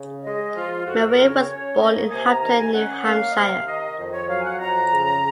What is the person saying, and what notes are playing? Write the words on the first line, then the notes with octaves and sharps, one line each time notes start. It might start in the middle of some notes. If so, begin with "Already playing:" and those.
Merrill was born in Hampton, New Hampshire.
Already playing: C#3
G#3 D#5
F3 F4
F2 F#4
A#4
C#3
C#5
C#4 C#5
A#3 D#5
C3 G#5
A#5
D#3 A#5
G#5
C#4 F#5
A#3 F5
D#5
C3 F5
D#3 D#5
F2
C#5
F#3 F5
G#5
F#5
F2 A#5
C#3